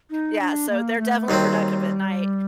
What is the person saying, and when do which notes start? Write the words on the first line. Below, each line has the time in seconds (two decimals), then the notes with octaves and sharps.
yeah, so they're definitely productive at night.
0.10 D#4
0.40 D4
0.70 A#3
0.99 A3
1.28 D#2 D#3 F#3 G3 C4